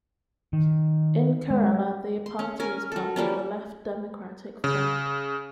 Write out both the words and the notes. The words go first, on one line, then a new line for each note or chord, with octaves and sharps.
In Kerala, the party is part of the Left Democratic Front.
D#3
G#3
C6
C#4
C#4 A#4 G#5
F#3 A4
F3 G3 A#3 C#4
C#3